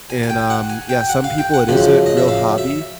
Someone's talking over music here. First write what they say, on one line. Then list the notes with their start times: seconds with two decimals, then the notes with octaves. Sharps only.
and, um, yeah, some people it is a real hobby,
0.10 G#5
0.23 G#5
0.30 G5
0.50 F#5
0.70 G#5
0.89 G5
1.09 F#5
1.24 F5
1.38 G5
1.54 F#5
1.69 F#2 C#3 F3
2.06 D#5
2.17 E5
2.28 F5
2.58 E5